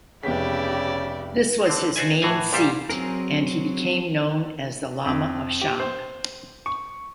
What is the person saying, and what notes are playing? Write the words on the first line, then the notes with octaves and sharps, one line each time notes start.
This was his main seat, and he became known as the Lama of Shang.
F1 C#3 B3 E4 G4 D5 B6
D3 C4
F#4 B4 C5 D5 E5 G#5
A2 E3 F#4 G#4 G#5
C2 A#2 G3 G4 A4 C5
F#3 C4 G#4 A#4
F2
G4
C5
C#6